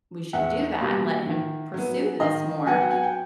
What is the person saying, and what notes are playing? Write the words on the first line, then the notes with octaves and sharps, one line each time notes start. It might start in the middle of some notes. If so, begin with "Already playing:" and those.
we should do that and let him pursue this more."
E2 E5 F#5
B2 G3 A#3
D#3
F#3 B3
D#3 D#5 F5
F#3 B3 F#5 G#5
G5
F#5 G#5
G5